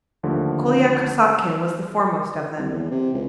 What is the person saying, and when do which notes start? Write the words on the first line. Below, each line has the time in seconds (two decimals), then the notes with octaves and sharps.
Kolya Krassotkin was the foremost of them.
0.23 D#2 D3 F3 A3
2.58 C2
2.72 E2
2.91 C3
3.13 C#2